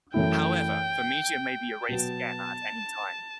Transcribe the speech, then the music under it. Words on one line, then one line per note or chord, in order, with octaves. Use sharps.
However, the media may be erased again at any time.
F#2 E3 A3 E4 G5
B2 F#3 B3 A5